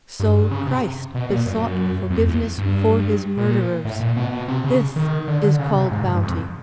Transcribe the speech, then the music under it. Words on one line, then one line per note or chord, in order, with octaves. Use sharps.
So Christ besought forgiveness for his murderers: this is called bounty.
G2
C#3
C3
B2
A#2
F#2
F2
E2
G2
A#2
A2
A#2
B2
B2
C3
C#3
D#3
D3
D3
C#3
C3
G#2
G2
F2